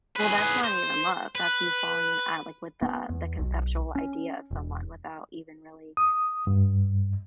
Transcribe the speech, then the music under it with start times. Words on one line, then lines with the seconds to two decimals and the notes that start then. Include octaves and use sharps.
Well, that's not even love, that's you falling in at like, with the the conceptual idea of someone without even really
0.16 G#4 B4
0.64 C5
1.35 B4
2.82 B3
3.10 E2
3.39 B1
3.95 C#4
4.51 E1
5.97 D#6
6.47 G2